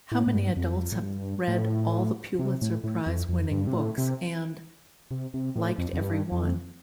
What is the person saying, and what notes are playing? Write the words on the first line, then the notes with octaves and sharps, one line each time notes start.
How many adults have read all the Pulitzer-prize-winning books and ... liked every one?
A2
A2
G2
F2
A2
G2
A2
C3
A2
A2
F2
F2
G2
C3
A2
C3
C3
C3
A2
F2
F2
G2
F2